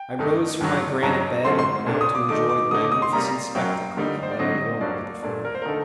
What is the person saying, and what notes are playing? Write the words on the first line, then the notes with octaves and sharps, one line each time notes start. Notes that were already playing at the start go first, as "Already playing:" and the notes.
I rose from my granite bed and went out to enjoy the magnificent spectacle that lay unrolled before me.
Already playing: G5
G2 D#3 A3 D#4
G2 D#3 F#3
G2 F#3 C4 D#4 A#5
F#2 D3 A3 C4 C6
C6
A#2 A3 D4
D#6
D6
D#3 A3 D#4 D6
D6
D3 A3 D#4 D#6
D6
D#6
C6
C3 G3 A#3 A#5
F#2 F#3 A#3 G5
D3 G3 A#3 D#4
C5
D5
D3 F#3 C4 D#4 D#5
G2 F#3 A#3 D5
A#2 A3 D4 D5
A#4
C5
A#4
D3 A3 D#4 A4